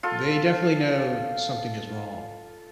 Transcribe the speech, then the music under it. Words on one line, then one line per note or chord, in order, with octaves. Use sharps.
they definitely know something is wrong
F4 A4